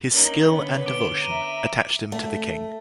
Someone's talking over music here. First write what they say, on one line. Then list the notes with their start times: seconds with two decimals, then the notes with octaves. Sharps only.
His skill and devotion attached him to the king.
0.11 A#3 C#4 D#4 F#7 G7
0.47 D3 B3 C#4
0.86 D6 D7 G7
1.24 E5 A#5 D#7
2.12 A3